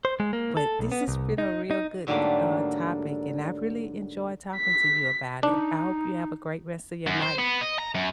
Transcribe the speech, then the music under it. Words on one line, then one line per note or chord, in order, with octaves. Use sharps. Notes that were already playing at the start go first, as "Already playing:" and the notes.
But this has been a real good, uh, topic, and I've really enjoyed talking to you about it. I hope you have a great rest of your night.
C5
G#3
A#3
A4
B1
B3
C2
D#4
D#4
G#2 D3 F#3 G3 A3 A#3
B6
D4 D#4
F#2
C5
B3
D#5
A#5
F#2